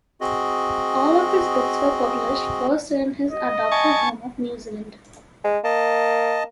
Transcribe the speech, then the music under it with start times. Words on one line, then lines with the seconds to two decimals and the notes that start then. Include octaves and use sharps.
All of his books were published first in his adopted home of New Zealand.
0.21 C4 F#4 G#4 D#5
3.31 D#5
3.72 G#5 A5 C#6
5.44 G#3
5.64 A#3 D#5 A5